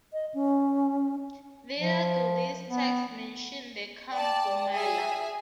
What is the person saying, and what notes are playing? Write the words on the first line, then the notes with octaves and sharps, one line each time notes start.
Neither do these texts mention the Kumbh Mela.
D#5
C#4
F3
B3
D5 G5 A5
G#4 E5 G#5